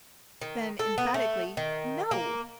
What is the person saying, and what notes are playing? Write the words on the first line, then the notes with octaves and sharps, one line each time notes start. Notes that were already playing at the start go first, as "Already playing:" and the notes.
Then, emphatically, "No!"
D#3
A4
B3
A3
D#3
A#3